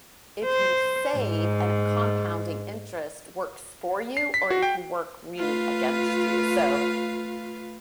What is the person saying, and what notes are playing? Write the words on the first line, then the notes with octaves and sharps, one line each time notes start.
if you save and a compounding interest works for you or it can work really against you, so,
C5
G#2
C7
B6
F#4
G5
A3 F4 B4 F5